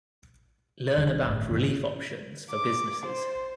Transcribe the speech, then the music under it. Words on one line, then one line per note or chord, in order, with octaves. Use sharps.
Learn about relief options for businesses.
E1 D#3 G3 D4
G1 A2
G#2 C3 D#3 E3
D6
C5